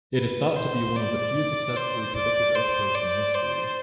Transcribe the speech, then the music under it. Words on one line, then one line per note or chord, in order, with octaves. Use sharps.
It is thought to be one of the few successfully predicted earthquakes in history.
B4
C5
D5
C5
D5
C5
D5
C5